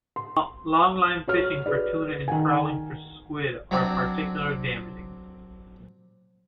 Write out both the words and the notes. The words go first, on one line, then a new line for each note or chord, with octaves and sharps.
Longline fishing for tuna and trawling for squid are particularly damaging.
C6
F#4 C#5 F6
G#4 B4 D5
D#3 F#5 G#5
F#3 C4 D4